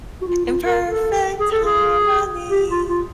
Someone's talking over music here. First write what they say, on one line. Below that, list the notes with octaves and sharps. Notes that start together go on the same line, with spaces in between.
in perfect harmony.
F#4
F4
F4
A#4
A4
G#4
A4
G#4
G4
F4
F4